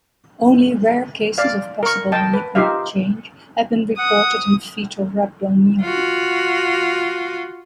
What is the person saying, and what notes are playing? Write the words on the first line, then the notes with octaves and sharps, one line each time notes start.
Only rare cases of possible malignant change have been reported in fetal rhabdomyoma.
D5 F5
A#4 C#6
D#5 G5 A5
B4
D#4 F4 G4 E5 F5
F#5 D#6
F4 F#4